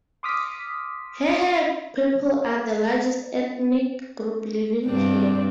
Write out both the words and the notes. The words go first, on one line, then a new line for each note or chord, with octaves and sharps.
Hehe people are the largest ethnic group living here.
C6 D6 D#6 F6 B6
G2 C4 D4